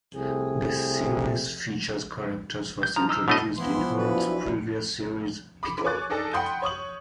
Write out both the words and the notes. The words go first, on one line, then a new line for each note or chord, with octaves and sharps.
The series features characters first introduced in Horrocks' previous series, "Pickle".
C2 C3 A3 G#4
G6
F3 A#5
D#4 E6 F6
B2 A3 D4 E4 C#5 D#5
E3 F3 B3 E4 C6
F#3 D4 E4 B4
B5 D6
C#5 G#5 C#6 D6 F#6 A6
D4 D#4 G#4 A4 D5
F#5 G5 B5 C6 D#6 G6
C#5 C#6 D#6 F#7